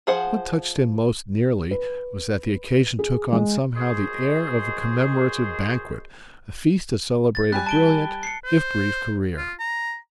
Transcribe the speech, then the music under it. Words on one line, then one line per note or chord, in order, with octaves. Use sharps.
What touched him most nearly was that the occasion took on somehow the air of a commemorative banquet, a feast to celebrate a brilliant if brief career.
F3 G#4 C5 F#5
B4
G#4
G#3
D#2 G#3 F#4 G#4 C5 C6
A6
G3 G4 G#5 F#6
A5 D7 G7
C7 C#7
C5
F4
A#5